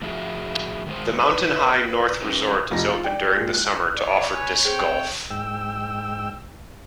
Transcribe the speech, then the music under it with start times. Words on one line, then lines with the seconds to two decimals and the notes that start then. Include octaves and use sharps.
The Mountain High North Resort is open during the summer to offer disc golf.
0.02 A2 F3 E4 F#4 G#4
0.86 D#3 G#3 G#4 C5
1.20 B4
2.22 C#4 G4 A#4 B4
2.71 F1 F3 D#4 A#6
2.88 F4
3.04 D5 G5
3.36 A#2 G#3
3.54 F#6
3.97 C#5 D5
4.34 B4 G#5
4.65 C4 G#4 A4 G5
5.30 G#2 G5 E6